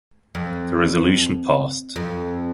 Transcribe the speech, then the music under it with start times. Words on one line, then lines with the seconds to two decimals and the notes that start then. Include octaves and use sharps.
The resolution passed.
0.35 F2
1.96 F2